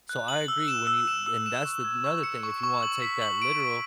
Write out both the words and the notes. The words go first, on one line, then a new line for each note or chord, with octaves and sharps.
So I agree, when you and that's another thing, you wanna take that literal,
F#6
F#7
E6
E7
E6
E7
E6
E7
C#6
G#6
C#6
C#7
C#6
C#6
F#7
B6
F#7
D7
D7